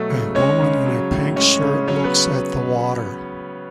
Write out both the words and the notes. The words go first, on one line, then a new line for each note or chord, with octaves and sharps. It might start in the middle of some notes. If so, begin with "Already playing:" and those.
A woman in a pink shirt looks at the water.
Already playing: B2 F#3 A3 A4
C#3
G#3 C#4 C#5
C#3
F#3
A2
G#3 C#4 C#5
C#3
F#3 C#4 C#5
B3 B4